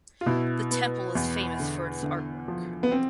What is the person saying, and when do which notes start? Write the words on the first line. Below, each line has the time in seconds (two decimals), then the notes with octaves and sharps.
The temple is famous for its artwork.
0.21 F4
0.26 B2 E4
0.71 B3
1.15 E2
1.60 D3
2.03 D3
2.48 F3
2.83 B3
2.92 C4